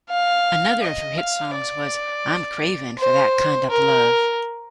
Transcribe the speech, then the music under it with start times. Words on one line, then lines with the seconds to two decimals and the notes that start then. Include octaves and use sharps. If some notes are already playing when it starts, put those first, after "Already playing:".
Another of her hit songs was "I'm Cravin' for that Kind of Love".
0.10 F5
0.82 D#5
1.18 F5
1.55 D5
2.99 C5
3.71 A#4